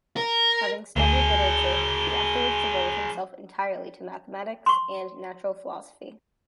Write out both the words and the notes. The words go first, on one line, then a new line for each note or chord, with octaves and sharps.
Having studied literature, he afterwards devoted himself entirely to mathematics and natural philosophy.
A#4
D2 F#3 G#4 G7
C6 C#6